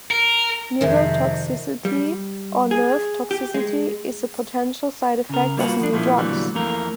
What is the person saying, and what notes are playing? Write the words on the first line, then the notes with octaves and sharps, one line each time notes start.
Neurotoxicity, or nerve toxicity, is a potential side-effect of new drugs.
A#4
F2 C3 D#3 G#3 E5
G3
G#4
G4
G#3
C#3 A#4
G3 A#3 F4 F#4 B4
F3 D4
A#2 F3 A3 A#3 E4
A#2 D3 E3 F#3 G3 A3
F2 E3 A3 A#3 A#4